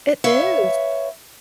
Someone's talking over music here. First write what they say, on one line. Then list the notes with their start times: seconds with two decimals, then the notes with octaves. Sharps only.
It is.
0.24 B4 C#5 E5 F5